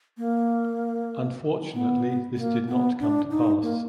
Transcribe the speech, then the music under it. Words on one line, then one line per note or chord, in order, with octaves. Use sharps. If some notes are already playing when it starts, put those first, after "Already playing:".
Unfortunately this did not come to pass.
A#3
B3
A#3
B3
D4
D#4
A#3